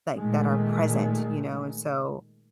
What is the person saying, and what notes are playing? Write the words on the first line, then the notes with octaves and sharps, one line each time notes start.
like, that are present, you know, and so,
A#2 D#3 G#3 A3